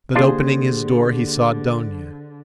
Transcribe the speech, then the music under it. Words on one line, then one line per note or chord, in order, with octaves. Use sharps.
But opening his door he saw Dounia.
D3 A#3 D4 F4 G4 G#4 C5